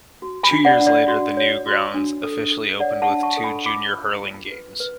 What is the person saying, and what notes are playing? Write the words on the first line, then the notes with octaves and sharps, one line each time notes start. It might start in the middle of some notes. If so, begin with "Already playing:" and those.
Two years later the new grounds officially opened with two junior hurling games.
F#4
G#5 B5
D4
D5 F#5
D4
D5
F#4
C#5
F#4
D4
A4
A4
C#5 D5 F#5
F#5 A5
D4
A5 C#6
A4
G#5 B5
F4 B5 D6
F4
F4
B4
B4